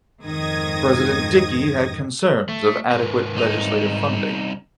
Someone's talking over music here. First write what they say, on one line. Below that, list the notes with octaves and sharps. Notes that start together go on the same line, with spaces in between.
President Dickey had concerns of adequate legislative funding.
F2 G#2 D#3 D#6 G#6 A#6
A3
G#2 A#4 B4
C2 D#4